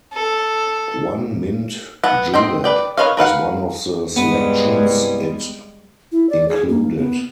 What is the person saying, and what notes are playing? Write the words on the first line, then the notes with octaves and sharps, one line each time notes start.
"One Mint Julep" was one of the selections it included.
A4
B3 F#5
C4 C5 D#5 G5
B4 D5 G5
A#4 B4 C#5 D#5 F5
A#4 B4 F5 F#5
C2 G2 G3 G#3 B3
E4
D5
G#4
A#3
B3